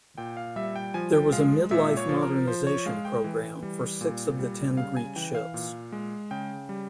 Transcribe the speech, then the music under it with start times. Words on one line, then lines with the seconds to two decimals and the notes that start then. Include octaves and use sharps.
There was a midlife modernization programme for six of the ten Greek ships.
0.18 A#2 G5
0.37 F5
0.56 G3 E5
0.76 G5
0.94 F3 G#5
1.13 G5
1.32 G#3 F5
1.71 A#2 E5
1.97 C#5
2.09 F3
2.22 A#4
2.47 F3 C5
2.67 C#5
2.86 G#3 F5
3.05 G5
3.24 E3
3.63 G3
4.01 A#2
4.39 G3
4.77 C#3 F5
4.97 G#5
5.16 E3 G5
5.35 F5
5.54 A#2
5.92 G#3
6.31 C#3 G5
6.69 G3